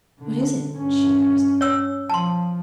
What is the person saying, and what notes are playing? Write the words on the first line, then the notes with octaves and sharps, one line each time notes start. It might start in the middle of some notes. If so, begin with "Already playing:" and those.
'What is it?' she asked.
D3
G2 C#4
C#5 E6
F3 A5 C6